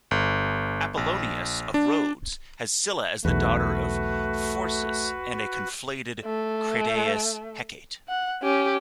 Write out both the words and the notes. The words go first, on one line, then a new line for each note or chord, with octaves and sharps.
Apollonius of Rhodes has Scylla as the daughter of Phorcys and a conflated Crataeis-Hecate.
G1
A#1
D4
B1 E2 A3 F#4 B4
A3
F#5
C#4 G4